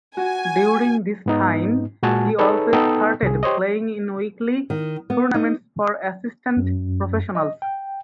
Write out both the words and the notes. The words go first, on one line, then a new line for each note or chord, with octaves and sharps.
During this time he also started playing in weekly tournaments for assistant professionals.
F#4 G#5
G#2 B3 D#4
A#2 G#3 F#4 G#5 A5
D#4 G#4 A4 B4 C#5
B3 D#4 A4 D#5 G5
C2 G#4
G4 C5 C#5 D#5
D#3
B3
D#4
F#2
D#5
G5